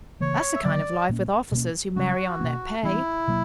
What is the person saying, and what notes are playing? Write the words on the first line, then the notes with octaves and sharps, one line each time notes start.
That's the kind of life with officers who marry on their pay.
C#3 E3 A#3 C#5
E5
D3 F#3 A#3 D5
A#2 A#3 C#4
B2 G3 A#3 C#4
C#3 G3 C#4 F#4
B2 A#3 C#4
E3 G3 B3 D4 E4
B2 F#3 A#3